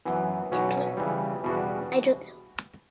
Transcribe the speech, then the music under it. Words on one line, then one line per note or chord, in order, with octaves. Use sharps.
Hitler: I don't know.
F#2 E3 B3
B1 B2 F#3 C#4
C#3 E3 G3
E2 B2 G3 D4 F#4